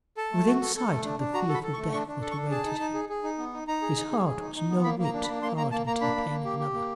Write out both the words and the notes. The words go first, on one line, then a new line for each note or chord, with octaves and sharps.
Within sight of the fearful death that awaited him, his heart was no whit hardened to the pain of another.
A4 A5
A3
F#4
A4
A4
A3
D4
D4
F#4 A#5
A4
B5
A4
C#6
A3
D4 C#6
D4
A4
C#6
D4
G#4 A5
D#4
D#4
G#4
G#4
D#4
B3
D#4
D#4 A#5
G#4
D#4
G#4
G#4
D#4
D#4
B3
A#3 B5
A#3
A#5
D4
B5
A#3
A#3 C6
A#3 A#5
A#3 A5
A#3 A#5
D4 B5
A#3
A#3
G4
G4
A#3